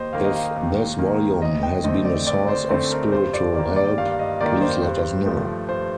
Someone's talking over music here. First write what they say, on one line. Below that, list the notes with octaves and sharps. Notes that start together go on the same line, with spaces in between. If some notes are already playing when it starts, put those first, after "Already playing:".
If this volume has been a source of spiritual help, please let us know.
Already playing: D#2 C5 D#5
D#3 A#3 F5
D#5
F5
D#2
D#3 A#3
D2 D#5
G5
D3 A3 C4 D#5
D5
D2 D5
C5
D3 A3 C4 C5
A#4
G2 C5
D5
D#3 A#3 D5
D5
G2 F5
D#5
D#3 A#3 D5
C5
G2
F3 A3
G2 C5